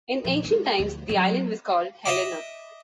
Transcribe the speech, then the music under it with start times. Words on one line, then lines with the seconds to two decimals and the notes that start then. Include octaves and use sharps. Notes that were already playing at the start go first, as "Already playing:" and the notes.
In ancient times the island was called Helena.
0.25 D#1 F3
0.45 G#3 D#4
0.79 D2 F3
1.09 F#3 C#4
2.06 D#5 E5 D6